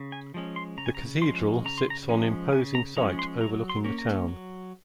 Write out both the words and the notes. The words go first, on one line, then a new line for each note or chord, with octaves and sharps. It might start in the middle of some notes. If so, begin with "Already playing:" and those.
The Cathedral sits on imposing site overlooking the town.
Already playing: C#3
G#5
F3 G#3 C#4
C6
C#3 A#5
G#5
A#5
F3 G#3 C#4 C6
C#3 A#5
C6
A#5
F3 G#3 C#4 G#5
C#3 G#5
A#5
F3 G#3 C#4 A#5
C6
F#3 A#5
C6
A#3 C#4
A#5
F#3